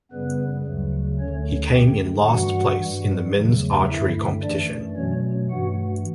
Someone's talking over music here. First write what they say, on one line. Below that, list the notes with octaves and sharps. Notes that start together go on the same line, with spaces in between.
He came in last place in the men's archery competition.
F#2 C#3 G3 B3 B4
D2 C#3 F#3 A3
D2 D3 A3 C#4 C#5
F#2 D3 A3 G4 G5
G2 E3 G3 F#4 F#5
G2 E3 G3
E2 C#3 F#3 A3
G2 D3 A3 E4 E5
F#2 E3 A3 D4 D5
B2 F#3 A3 C#4 C#5
G2 E3 A3 F#4 F#5